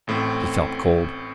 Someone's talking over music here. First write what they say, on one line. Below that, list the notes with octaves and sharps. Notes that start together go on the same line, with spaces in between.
He felt cold.
A1 A2 A3 C4